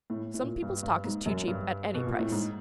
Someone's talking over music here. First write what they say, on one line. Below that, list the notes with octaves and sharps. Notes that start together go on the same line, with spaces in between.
Some people's talk is too cheap at any price.
A2
A2
A#2
G2
G2
G#2
F#2
G2
B2
A#2
A2
G#2